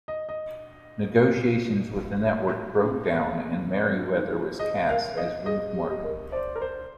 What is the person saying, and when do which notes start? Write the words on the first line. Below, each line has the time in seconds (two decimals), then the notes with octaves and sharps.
Negotiations with the network broke down and Meriwether was cast as Ruth Martin.
0.08 D#5
0.29 D#5
2.78 D4
2.88 C4
3.16 A#3
3.45 A#3
3.73 C4 D5
3.90 C4
3.95 D4
4.11 F4
4.17 D#4
4.30 D#4
4.38 F4
4.59 G#4 D#5
4.89 A#4 F5
5.17 D#5
5.46 G#4 D#5
5.75 G4
5.82 G#4
5.89 G4 D#5
6.03 A#4
6.32 C5 D5
6.56 A#4
6.62 C5